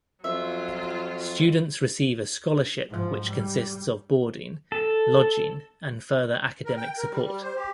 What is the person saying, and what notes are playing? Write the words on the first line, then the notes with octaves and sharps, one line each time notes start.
Students receive a scholarship which consists of boarding, lodging and further academic support.
F2 F#3 F4 E5
G#2 F3
G3
A4
A#4
G5
A#4
G3
G3
C5
G4